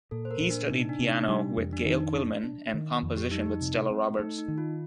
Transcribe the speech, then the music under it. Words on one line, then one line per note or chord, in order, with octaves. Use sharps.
He studied piano with Gail Quillman and composition with Stella Roberts.
A#2 A4
C5
A#4
A#2
D4
C3 D#4
D4
C3
D#4
G3 D4
F2
D4
D#3 D#4
D4
D4
D#3
F2
G4
G3 D#4
D#4
C3
C4
A3 D#4
D#4
D#3
F4